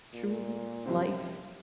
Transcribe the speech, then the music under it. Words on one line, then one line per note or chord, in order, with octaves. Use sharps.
true life,
A#2
F#2 C3 C4